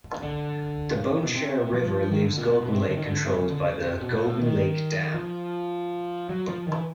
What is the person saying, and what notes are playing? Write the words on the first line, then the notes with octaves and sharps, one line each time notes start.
The Bonnechere River leaves Golden Lake controlled by the Golden Lake Dam.
D3
C#3
C3
B2
C3
F3
D#3
D3
A#2
B2
C3
D3
D#3
D3
C3
C#3
D3
C#3
C3
B2
A#2
A2
D#3
F3
F#3
F3
D#3
E3